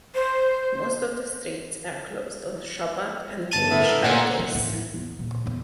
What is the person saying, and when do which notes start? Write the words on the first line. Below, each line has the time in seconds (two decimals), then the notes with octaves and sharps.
Most of the streets are closed on Shabbat and Jewish holidays.
0.15 C5
3.51 G1 A5 D#7
3.70 A2 B3 E5
3.83 A#4
4.04 A#2 F#5 G#5 D7
4.39 D#3
4.55 A1
4.73 E4
4.94 E2
5.19 A#2
5.46 E2